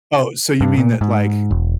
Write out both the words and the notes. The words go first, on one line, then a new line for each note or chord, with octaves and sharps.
Oh, so you mean that, like,
G2
A#2
G#2
E1